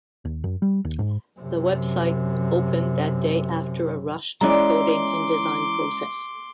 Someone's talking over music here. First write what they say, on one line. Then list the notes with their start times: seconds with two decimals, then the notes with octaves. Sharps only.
The website opened that day after a rushed coding and design process.
0.25 D#2
0.44 F#2
0.62 G3
0.85 D#2
0.99 G#2
1.40 F#2 C3
4.41 E3 G#3 C#4 E4 D5 A#5 C6 D6